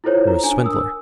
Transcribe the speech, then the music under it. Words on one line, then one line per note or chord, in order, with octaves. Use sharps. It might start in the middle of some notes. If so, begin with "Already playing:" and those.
"You're a swindler!"
E4 F4 A4 C5 C#5
A#5
D4 G#5
A#4 D#6 E6